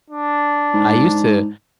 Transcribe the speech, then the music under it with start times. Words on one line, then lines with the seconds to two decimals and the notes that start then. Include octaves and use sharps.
I used to
0.10 D4
0.74 G#2